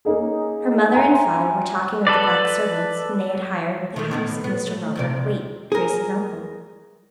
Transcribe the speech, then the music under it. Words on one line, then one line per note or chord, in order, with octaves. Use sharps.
Her mother and father were talking of the black servants, whom they had hired with the house of Mr. Robert Waite, Grace's uncle.
A#3 C#4 D#4 G#4
E5 G5 G#5 A#5 C6
A4 B4 D5
D#3 A3
A2 D#3 B3
B3
A3
D2 C3 D5
G#4 A#4